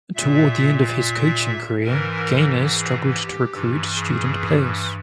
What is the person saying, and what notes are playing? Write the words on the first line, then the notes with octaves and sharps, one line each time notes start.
Toward the end of his coaching career, Gaines struggled to recruit student players.
A#2 E5
E5
G#2 E3 A#4
G#4
G4
G2 E3
G#4